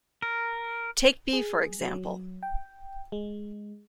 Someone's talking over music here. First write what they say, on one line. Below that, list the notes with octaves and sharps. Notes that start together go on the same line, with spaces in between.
Take B for example.
A#4
G#4
F#3
G5
G#3